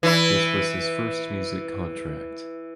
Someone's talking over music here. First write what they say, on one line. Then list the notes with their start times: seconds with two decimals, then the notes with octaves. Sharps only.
This was his first music contract.
0.03 E3 E4